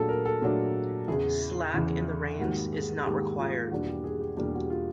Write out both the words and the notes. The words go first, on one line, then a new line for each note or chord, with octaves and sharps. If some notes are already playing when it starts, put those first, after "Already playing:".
Slack in the reins is not required.
Already playing: A#2 F#3 A3 D4 G#4 A4
A#4
A4
A#2 F#3 A3 D4
E2 C#3 E3 G#4
E2 C#3 E3
G#2 D#3 G3 A#3 F#4
G#4
G#2 D#3 G3 A#3 G4
F4
E2 B2 G3 A#3 D4 F#4
G4
G#4
G4
E2 B2 G3 A#3 D4 G4
F#4
F4